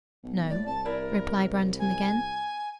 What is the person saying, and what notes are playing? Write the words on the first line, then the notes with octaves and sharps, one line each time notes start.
"No," replied Brandon again.
B1
A2 D5
C2 A5
E4 A#4 D5
G#5